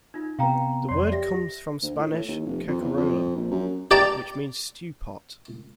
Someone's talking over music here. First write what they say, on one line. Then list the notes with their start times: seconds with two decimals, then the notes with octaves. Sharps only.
The word comes from Spanish "cacerola", which means "stew pot".
0.14 D#4 F4
0.39 C3 B3 F5 G5 A#5
0.89 F2 C#5 D5 C6
1.12 G4 E5 A#6
1.82 D2
1.99 A2
2.13 A2
2.28 D#2
2.46 F1
2.68 F2
2.81 E2
2.97 F2
3.36 A#1
3.52 F#2
3.91 G4 D5 G5 A5 A#5